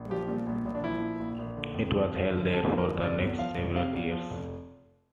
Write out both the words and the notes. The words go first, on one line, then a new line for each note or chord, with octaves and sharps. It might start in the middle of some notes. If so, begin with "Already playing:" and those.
It was held there for the next several years.
Already playing: A#1
F3 G4
A#2
A#1
A#1
D4
F3 E4
A#2
A#1
A#1
D3
F2
F3
G1
D3
F2
A4
F3
A#4
G1
C3 D5
E2
F3 F5
F1
C3 F5
E2
F3
F1